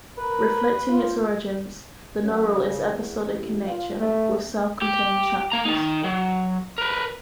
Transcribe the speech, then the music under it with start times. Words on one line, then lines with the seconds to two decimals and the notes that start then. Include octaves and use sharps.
Reflecting its origins, the novel is episodic in nature, with self-contained chapters.
0.18 A#4 B4
0.89 F4
2.23 F#2
2.54 C#3
2.86 E2
3.23 A1
3.65 F4
3.97 A3
4.82 G4
5.52 A#3 A#5
5.65 D#3 D#4
6.04 F#3
6.78 A#4 B4